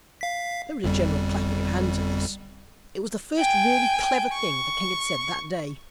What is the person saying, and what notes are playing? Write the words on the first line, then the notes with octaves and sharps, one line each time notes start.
There was a general clapping of hands at this: it was the first really clever thing the King had said that day.
F5 B6
G1 F2 G3
G5 G#5
C#6